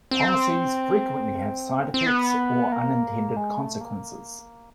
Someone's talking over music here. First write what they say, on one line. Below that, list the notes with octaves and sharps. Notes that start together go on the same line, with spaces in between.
Policies frequently have side effects or unintended consequences.
C4
C4
B3
A#3
G#3
A3
A#3